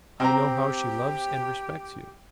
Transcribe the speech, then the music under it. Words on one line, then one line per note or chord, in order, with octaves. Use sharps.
I know how she loves and respects you.
C4 G4 A#5